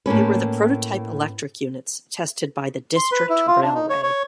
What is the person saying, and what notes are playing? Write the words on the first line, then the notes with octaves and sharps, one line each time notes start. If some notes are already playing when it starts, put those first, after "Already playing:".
They were the prototype electric units tested by the District Railway.
A2 A#3 C#4 B4
C6
B4
E4
F4
D4
D#4
C#5
C#5